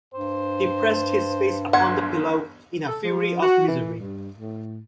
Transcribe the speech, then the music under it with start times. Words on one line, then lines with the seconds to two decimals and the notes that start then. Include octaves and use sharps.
He pressed his face upon the pillow in a fury of misery.
0.14 G2 C5
1.73 G1 F#5 C6 G#6
2.88 A4
3.05 F3
3.42 F#4
3.68 E3
3.99 G2
4.38 A2